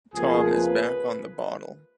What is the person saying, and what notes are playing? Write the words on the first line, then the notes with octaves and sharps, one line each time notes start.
Tom is back on the bottle.
C#2 C3 F3 A#3 G#4
B4